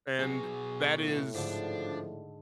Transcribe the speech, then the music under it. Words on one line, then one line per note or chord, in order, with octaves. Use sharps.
And that is
B2 F#3 G#4
A2
G#2 D3 F3 D4